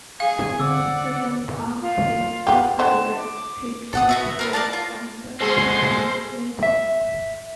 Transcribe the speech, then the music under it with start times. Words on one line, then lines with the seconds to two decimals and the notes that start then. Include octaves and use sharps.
Toward the end of his playing career, he played for and captained Natal.
0.20 G#4 F5 G#5
0.60 D3 D5 F#5 D6 E6
1.81 F4 F5
2.47 B3 G4
2.79 D3 C5 A5
3.16 D6
3.93 A4 F#5 D#6
4.09 B3 F#4 E5
4.39 B3 C4 A#4
4.53 A#4 D5 A5
4.73 F4
5.41 B2 G#3 G#4 A4 C5 C6
6.63 E5